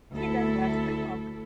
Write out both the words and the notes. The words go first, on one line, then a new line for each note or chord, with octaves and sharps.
He then left the club.
D2 A3 E4 A4